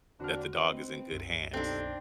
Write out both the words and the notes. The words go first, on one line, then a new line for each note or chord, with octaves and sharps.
that the dog is in good hands.
E2 D3 A#3 C4 D4 F#4 F6
C4 B4 D#5
C2 F#2
B1 C4 D4 D#4 G4 A4 G7